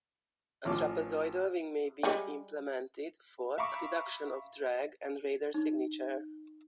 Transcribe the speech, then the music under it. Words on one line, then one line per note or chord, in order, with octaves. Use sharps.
A trapezoidal wing may be implemented for reduction of drag and radar signature.
A1 F3 C#5 D6
G3 G#3 G#5
E5 F5 A#5 B5 C#6 D6
D#4